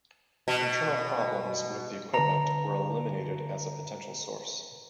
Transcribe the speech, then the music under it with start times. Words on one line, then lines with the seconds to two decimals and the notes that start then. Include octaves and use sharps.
Internal problems with the equipment were eliminated as a potential source.
0.48 B2
2.14 D3 B4 A5 A#5